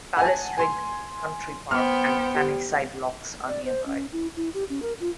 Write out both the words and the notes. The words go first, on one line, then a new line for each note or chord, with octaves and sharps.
Palacerigg Country Park and Fannyside Lochs are nearby.
F#5 G#5 A5
G#5 C6
B3 C5 G5 F6
G4
D5
C5
C#4
E4
E4
G4
C#4
A#4
F4